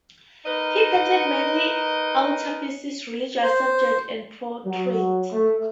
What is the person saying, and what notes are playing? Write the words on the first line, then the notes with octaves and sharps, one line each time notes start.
He painted mainly altarpieces, religious subjects and portraits.
D#4 A#4 B4 D#5
C5
F#3
A3